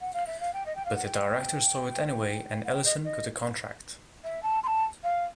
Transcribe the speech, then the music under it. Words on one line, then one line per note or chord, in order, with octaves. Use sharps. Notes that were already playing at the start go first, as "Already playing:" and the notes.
But the director saw it anyway and Ellison got a contract.
F#5
F5
E5
F5
G5
D#5
G5
F5
F#5
G5
F#5
G5
D#5
D#5
E5
A5
C6
A5
F5